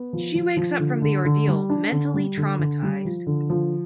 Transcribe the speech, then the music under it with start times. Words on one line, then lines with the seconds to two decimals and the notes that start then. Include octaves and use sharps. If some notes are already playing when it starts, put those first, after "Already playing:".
She wakes up from the ordeal mentally traumatized.
Already playing: B3
0.13 F3
0.35 F3
0.57 F3
0.79 D3
1.02 D3
1.25 D3
1.48 G3
1.70 D4
1.92 D3
2.14 G3
2.37 D3
2.59 D3
2.83 G3
3.05 F3
3.27 D3
3.50 F3